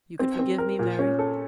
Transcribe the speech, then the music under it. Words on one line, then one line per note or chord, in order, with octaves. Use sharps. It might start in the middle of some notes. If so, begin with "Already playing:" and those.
"You could forgive me, Mary?"
C4
C4
A#4
A#2
C#4
A4